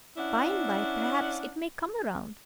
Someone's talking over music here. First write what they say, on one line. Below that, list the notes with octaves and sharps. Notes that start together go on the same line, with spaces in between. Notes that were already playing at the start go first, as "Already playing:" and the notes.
By-and-by, perhaps, it may come round.
C#4 D4 E4 F#5